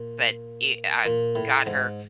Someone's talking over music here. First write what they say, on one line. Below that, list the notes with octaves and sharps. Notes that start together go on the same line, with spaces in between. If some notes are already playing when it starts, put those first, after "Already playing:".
But e I got her
Already playing: A#2
A#2
A2
G#2